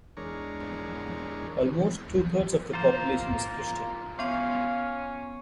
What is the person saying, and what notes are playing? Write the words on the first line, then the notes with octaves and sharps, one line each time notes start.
Almost two-thirds of the population is Christian.
E2 G#3 D4 A#4 C#5
A#3 F4 A#4 C5
B3 C#4 F5 C6